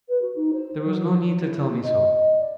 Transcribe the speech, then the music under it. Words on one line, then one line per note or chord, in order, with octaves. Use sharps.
There was no need to tell me so.
B4
F#4
D#4
C5
F#3
E4
A#3
D#5
D#5
D5